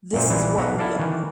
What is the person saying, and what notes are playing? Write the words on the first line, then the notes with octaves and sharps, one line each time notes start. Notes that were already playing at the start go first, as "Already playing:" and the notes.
This is what we are!
F#2 A#2 C5
A#1 E3 G3 D#4
B1 B2 E5 F#5 A#5
E4 A4 D5 F5
D#3 E3